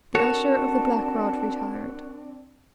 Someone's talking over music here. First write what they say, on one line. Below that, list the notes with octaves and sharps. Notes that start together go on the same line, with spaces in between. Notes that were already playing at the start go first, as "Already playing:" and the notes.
The Usher of the Black Rod retired.
C4 D4 F#4 A4 A#4 C#5 A5 E7